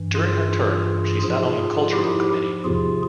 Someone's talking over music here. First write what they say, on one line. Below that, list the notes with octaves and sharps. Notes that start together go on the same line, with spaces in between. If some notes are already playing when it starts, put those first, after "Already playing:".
During her term she sat on the Cultural Committee.
Already playing: G2 E3
F4 G#4
G#2 F3 F4 G#4
E4 G4
E2 C3 F3 F4 G#4